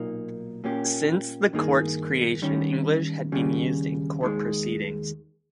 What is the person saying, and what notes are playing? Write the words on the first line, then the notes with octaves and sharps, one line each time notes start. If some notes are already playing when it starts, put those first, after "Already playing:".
Since the courts' creation, English had been used in court proceedings.
Already playing: B1 A#2 A#3 D#4
A#2 A#3 C#4 G4
G2 D#3 A#3 D#4 G#4
D#3 G3 C#4
D#2 C#3 G3
D#2 D#3 G#3